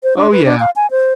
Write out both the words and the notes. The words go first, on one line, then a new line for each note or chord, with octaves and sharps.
Oh, yeah,
C5
D4
B4
D4
F5
G#5
C5